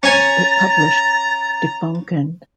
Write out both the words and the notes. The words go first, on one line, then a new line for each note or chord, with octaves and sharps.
It published "De Fonken".
C#4 G#5 A#5 A6